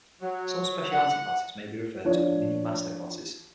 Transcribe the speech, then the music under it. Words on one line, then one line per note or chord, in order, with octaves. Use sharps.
Some speciality classes may be referred to as 'mini master classes'.
F#3
F#5
F3 D4 C#5